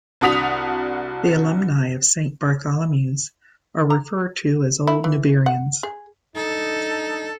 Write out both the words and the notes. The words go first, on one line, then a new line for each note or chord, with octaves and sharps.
The alumni of Saint Bartholomew's are referred to as "Old Newburians".
C2 D4 F#4 D#6 B6 F7
A#5
E4
E3
F#5
G#4
D4 D#4 A4